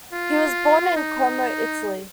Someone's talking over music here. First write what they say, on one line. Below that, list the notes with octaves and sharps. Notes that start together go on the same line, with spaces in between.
He was born in Como, Italy.
F4
D#4